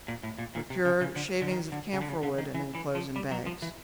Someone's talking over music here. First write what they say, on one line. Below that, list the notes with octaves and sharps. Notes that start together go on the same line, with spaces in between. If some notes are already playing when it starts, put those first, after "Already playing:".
Procure shavings of camphor wood, and inclose in bags.
A#2
A2
A#2
A#2
C3
C#3
C#3
D3
D3
D#3
D3
C#3
D3
C#3
D3
D#3
E3
E3
F3
G3
F#3
F3
E3